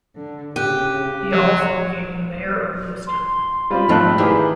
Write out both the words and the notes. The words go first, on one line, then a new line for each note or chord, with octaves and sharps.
He also became the mayor of Lewiston.
D3
C#3 G4 F#6 D#7
F3 F#3 F#4
C6
G3 C4 F4 B5
G#1 F3 A3 F#6
D#3 E3 D4 G4 G#4